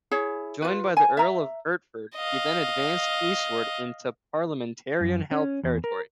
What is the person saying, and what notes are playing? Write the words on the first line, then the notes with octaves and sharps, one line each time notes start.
Joined by the Earl of Hertford, he then advanced eastward into Parliamentarian-held territory.
E4 G#4 C#5
F4 B4
G#5
E5 A#5
D#5 F5
F#2
C#4
E2
A#4